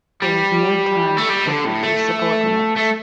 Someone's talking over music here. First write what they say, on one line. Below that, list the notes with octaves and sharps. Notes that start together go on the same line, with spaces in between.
There is no time for pretty subordinates.
G3
A3
G3
D3
A2
A3
A3